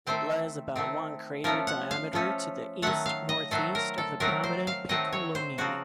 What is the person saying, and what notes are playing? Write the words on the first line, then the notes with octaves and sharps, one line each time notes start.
It lies about one crater diameter to the east-northeast of the prominent Piccolomini.
D#3 A3 C4 C5
D#3 A3 C4
F3 A3 C#4 A#4
F#5
F5
F3 A3 C#4
D#3 F#3 A3 F#5
F5
D#5
D#3 F#3 A3 C5
A#4
A4
D#3 F#3 A3 C4 D#4 A#4
C5
F5
D#3 F#3 A3 C4 D#4 D#5
C#5
C5
C#3 F3 C4 D#4 F#4